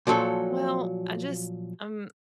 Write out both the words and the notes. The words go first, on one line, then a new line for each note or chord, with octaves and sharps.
"Well, I just I'm
A#2 F3 F#3 A4